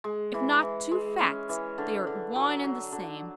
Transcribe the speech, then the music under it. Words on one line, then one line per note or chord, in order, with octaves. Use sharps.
If not two facts, they are one and the same.
G#3
E3
E3
G#3
C#4
E3
D3
D3
F#3
F#3
D3